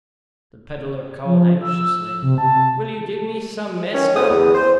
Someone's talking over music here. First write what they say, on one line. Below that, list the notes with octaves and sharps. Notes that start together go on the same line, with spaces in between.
The peddler called anxiously, "Will you give me some mescal?"
F3
E6
C3
A5
D#3 E3 C#4
A2 F#3 G#4 C5 D#6
E2
C5